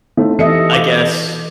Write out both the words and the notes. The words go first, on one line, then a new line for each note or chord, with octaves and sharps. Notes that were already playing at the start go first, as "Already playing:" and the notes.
I guess,
A3 C4 D#4
E3 G4 A4 D#5 E5 C#7
F5 D6